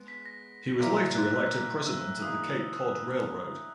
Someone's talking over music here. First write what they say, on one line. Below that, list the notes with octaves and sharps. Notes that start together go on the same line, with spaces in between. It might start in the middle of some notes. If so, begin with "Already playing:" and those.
He was later elected president of the Cape Cod Railroad.
Already playing: G#3 B3 B4
B6
A#6
A#2 F#3 A#3 E4 A#4 B6
A#6
F#6
F#6
E6
F#6
E6
E3 A#3 D#4 G#4 D#6